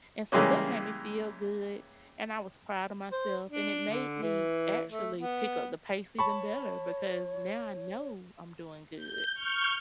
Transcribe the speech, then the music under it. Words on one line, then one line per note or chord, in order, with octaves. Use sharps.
and so that made me feel good, and I was proud of myself, and it made me actually pick up the pace even better, because now I know I'm doing good.
C#3 E3 G3 G#3 A#3 C#4
C5
D4
D3
E3
A3
B3
C#5 A5 B5 C#6
G6
C#6 F6 G6